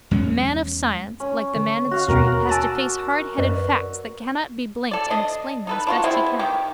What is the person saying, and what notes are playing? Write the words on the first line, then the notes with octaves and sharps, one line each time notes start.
The man of science like the man in the street has to face hardheaded facts that cannot be blinked and explain them as best he can.
E2 G#3 C#4
C#4
D3
F#4 F5 F#5
D#2 B2 B3 A#4 F#5
G#5 A5 D6 E6 A6
F#2 B4 D5
A4 D5
D4 D#5
D#4 A4 B4
D4 F4 F#4
G#3 B3 C4 E4
D#3 G4